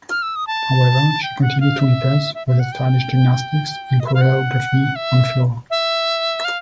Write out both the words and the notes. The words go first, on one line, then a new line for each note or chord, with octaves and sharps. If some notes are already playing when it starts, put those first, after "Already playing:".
However, she continued to impress with her stylish gymnastics and choreography on floor.
F6
E6
D#6
A5
G5
F#5
F5
E5
E5
E5
F#5
G5
D#5
E5
F5
F#5
E5
E5
F5